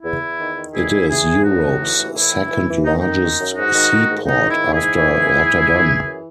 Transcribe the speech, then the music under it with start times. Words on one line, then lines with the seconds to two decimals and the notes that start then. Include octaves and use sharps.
It is Europe's second-largest seaport, after Rotterdam.
0.03 E2 E4
0.21 E2
0.38 D#3
0.56 D#3
0.73 E2 E4 G#4
0.91 E2
1.09 E2 E4 G#4
1.27 E2
1.44 A2 D#4 F#4
1.62 A2
1.80 E3
1.97 E3
2.15 A2 E4
2.33 E3
2.50 E3
2.68 E3
2.86 D#3 D#4
3.01 D#3 D#4
3.21 D#3
3.39 F#2
3.56 G#2 D#4 F#4
3.74 D#3
3.92 D#3
4.10 G#2
4.27 G#2 D#4
4.45 D#3
4.51 E4
4.62 G#2
4.74 E4 G#4
4.80 G#2
4.98 E3
5.15 G#2
5.33 G#2
5.51 G#2
5.68 E3
5.86 E3
6.04 F#2